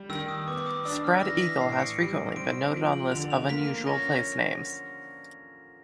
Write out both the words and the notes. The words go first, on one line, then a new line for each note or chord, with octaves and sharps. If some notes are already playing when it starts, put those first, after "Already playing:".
Spread Eagle has frequently been noted on lists of unusual place names.
Already playing: G3
D#3 E6
D#6
B3 D6
D#6
D4 E6
F6
E3 A#6
B6
A2 C7
D7
C#7
G3 D7
C4 D7
F3 D7
F#7
D3 F7
F7
A#3 B6
C#4 A#6